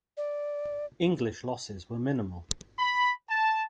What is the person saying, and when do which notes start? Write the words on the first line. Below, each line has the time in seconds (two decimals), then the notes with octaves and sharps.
English losses were minimal.
0.17 D5
2.78 B5
3.29 A5